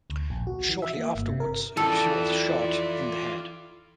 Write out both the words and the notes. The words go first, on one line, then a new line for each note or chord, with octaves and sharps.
Shortly afterwards, she was shot in the head.
D2
A#1
F#4
E3
E5
A#3
G1
C3
A#4
E3 E4 F4 A4 D5 G5